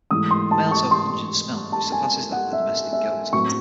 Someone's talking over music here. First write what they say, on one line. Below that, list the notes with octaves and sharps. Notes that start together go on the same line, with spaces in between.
The males have a pungent smell, which surpasses that of the domestic goat.
G#2 E3 A3 D#6
C6
A5
C#6
C6
A5
G#5
F#5
E5
E5
A2 F#3 C4 C#6